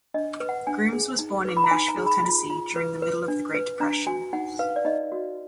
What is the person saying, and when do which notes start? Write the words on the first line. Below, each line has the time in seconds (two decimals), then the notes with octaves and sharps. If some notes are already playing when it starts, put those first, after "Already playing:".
Grooms was born in Nashville, Tennessee during the middle of the Great Depression.
0.14 D4 D#5
0.40 B4
0.49 F#5
0.67 D4 G#5
0.93 G#4
1.19 D#4
1.45 B4 D6
1.57 B5
1.64 A#5
1.71 D#4 G#5
1.88 A#5
1.97 G#4
2.06 B5
2.24 F4
2.50 F4
2.76 B4
3.02 B4
3.28 D4
3.54 B4
3.80 D4 A#5
4.07 F#4 G#5
4.33 D#4 F#5
4.59 B4 F5
4.76 D5
4.85 D#4 D#5
5.12 F#4